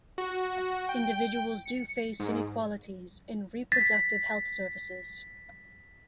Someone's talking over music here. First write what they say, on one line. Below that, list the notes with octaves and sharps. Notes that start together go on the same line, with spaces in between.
Individuals do face inequalities in reproductive health services.
F#4
G5
C#7
G#2
A6 B6